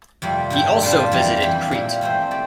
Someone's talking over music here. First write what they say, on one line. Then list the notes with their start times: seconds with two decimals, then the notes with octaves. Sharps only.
He also visited Crete.
0.22 F2 C3 G3 A#3
0.50 G2 D3 G3 C4 G4
0.81 A#2 G3 D4 F4 C5
1.11 F2 E3 G3
1.40 E3 G3 A#3 E4 G4
1.71 A#2 G3 A#3 E4
2.01 E3 A3 C4 G4 C5
2.31 G4 D5